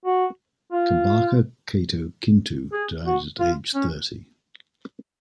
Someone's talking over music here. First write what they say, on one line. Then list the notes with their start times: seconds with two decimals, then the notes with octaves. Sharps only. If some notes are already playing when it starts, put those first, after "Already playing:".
Kabaka Kato Kintu died at age thirty.
0.06 F#4
0.72 F4
2.73 G#4
3.07 F#4
3.40 F4
3.75 C#4